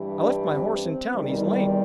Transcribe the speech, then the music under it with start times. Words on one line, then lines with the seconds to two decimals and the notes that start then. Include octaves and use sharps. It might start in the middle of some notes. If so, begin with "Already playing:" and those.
"I left my horse in town--he's lame."
Already playing: G2 E3 G3
0.19 D4
0.51 C4
0.83 C4
1.14 E2 C3 D#3 G3